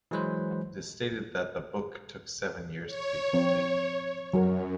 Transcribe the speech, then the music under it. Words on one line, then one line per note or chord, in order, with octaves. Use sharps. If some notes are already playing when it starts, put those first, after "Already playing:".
It is stated that the book took seven years to be completed.
E3 F#3 G#3 B4 C5
C#5
F3 C4
F#2 F#3 F#4 A#4